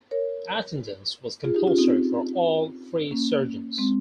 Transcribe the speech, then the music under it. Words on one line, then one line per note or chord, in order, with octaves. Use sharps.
Attendance was compulsory for all 'free' surgeons.
A#4 C#5
F4 G#4
D#4 G4
C#4 F4
C4 D#4
A#3 C#4
G#3 C4